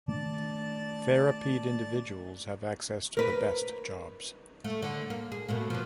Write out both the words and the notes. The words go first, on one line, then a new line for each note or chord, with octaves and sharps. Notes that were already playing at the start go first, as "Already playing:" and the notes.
Therapied individuals have access to the best jobs.
D#3 A3 D4 D5 A5
A#4 B4
A3
D3
A#3
G#4
B2 A3 A#3
F3 B3